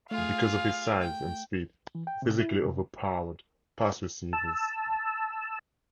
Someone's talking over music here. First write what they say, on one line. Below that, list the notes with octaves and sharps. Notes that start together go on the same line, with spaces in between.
Because of his size and speed, he physically overpowered pass receivers.
A3 F4 G#4 F5
G5
E3
G5
C3
E4
C3
A5 E6